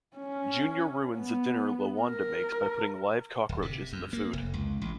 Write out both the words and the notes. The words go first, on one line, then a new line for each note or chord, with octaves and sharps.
Junior ruins a dinner LaWanda makes by putting live cockroaches in the food.
C#4
B3
A#4
D1
C3
F#2
A#3
F1
C#2
A1